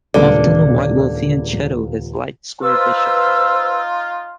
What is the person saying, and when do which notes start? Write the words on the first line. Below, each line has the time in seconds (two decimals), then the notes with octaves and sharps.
Often, White will fianchetto his light-square bishop.
0.14 D#1 C#2 A#3 D4 A4 B4 D5
2.62 D#4 F4 B4 C5 E6